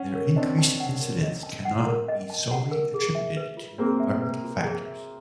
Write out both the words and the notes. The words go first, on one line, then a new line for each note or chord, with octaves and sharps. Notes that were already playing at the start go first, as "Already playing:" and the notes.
Their increased incidence cannot be solely attributed to environmental factors.
Already playing: C#4 F#5
A#4
C4 D4 D#5
A5
F#5
A#4
D#5
A5
F#5
A#4
D#5
A5
F#5
A#4
G#4
E5
B4
F4
A#3 C4 G#4
E5
B4
F4
G#4
E5